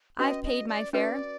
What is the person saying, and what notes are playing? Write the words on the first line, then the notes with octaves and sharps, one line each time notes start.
I've paid my fare.
C#4 F#4 B4 D#5
D#5
D5
C#4 F#4 B4 D5